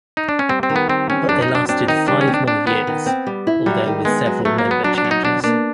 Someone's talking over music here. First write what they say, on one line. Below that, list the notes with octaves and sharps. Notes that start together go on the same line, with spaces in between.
But they lasted five more years, although with several member changes.
D#4
D4
C#4
G3 C4
C4
D#3
B3
G3 C4
C4 C#4
F#2 D4
D#4
F#2
D4
C4 D4
D#3 D#4
G3 D4
C#4
C4
D4
C4 D4
D#3 B3
D#3
C4
G3
E4
F#3 G3
D#3
G#3 B3
F#3
F#3 A3
A#3
F#3
B3
F#3 D4
D4
F#3
D#4
B2 D4
A#3 D4